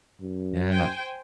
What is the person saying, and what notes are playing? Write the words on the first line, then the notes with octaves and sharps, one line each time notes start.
Yeah, no
F#2
C5 G5 G#5